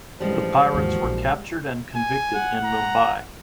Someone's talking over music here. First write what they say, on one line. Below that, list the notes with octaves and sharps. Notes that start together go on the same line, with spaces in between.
The pirates were captured and convicted in Mumbai.
A1 G2 F3 G3 G#3
D#2 G#2 E3 A#3 F#4
A#1
G#5
F#5
A#5